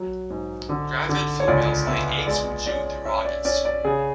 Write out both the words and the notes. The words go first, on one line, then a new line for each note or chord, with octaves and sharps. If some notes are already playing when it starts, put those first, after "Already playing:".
Gravid females lay eggs from June through August.
Already playing: F#3
G#2
D3
D3
C#5
C#2 D5
B3 E5
G#3 D5
C#4 D5
C#4 E5
D5
C#4 D5
D5
C#3 G#4